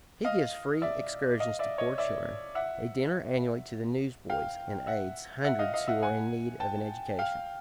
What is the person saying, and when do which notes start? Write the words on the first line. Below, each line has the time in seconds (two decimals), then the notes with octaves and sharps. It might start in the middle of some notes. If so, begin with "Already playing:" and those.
He gives free excursions to poor children, a dinner annually to the newsboys, and aids hundreds who are in need of an education.
0.25 D#5 F5
0.82 D5 E5
1.40 D#5 F5
1.59 D5 E5
1.78 C#5 D#5
1.98 D5 E5
2.55 E5 F#5
4.30 F5 G5
4.87 E5 F#5
5.44 E5 F#5
5.59 D#5 F5
5.74 D#5 F5
5.88 E5 F#5
6.03 F#5 G#5
6.60 G5 A5
7.19 F5 G5